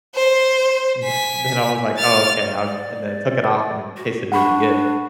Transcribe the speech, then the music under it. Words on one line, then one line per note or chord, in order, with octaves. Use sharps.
b but then I was like, "Oh, okay. I'll" and then I took it off and it tasted really good.
C5
G#5 B6
F6 A6
D5
F#4
D4 F#5 B5 C#6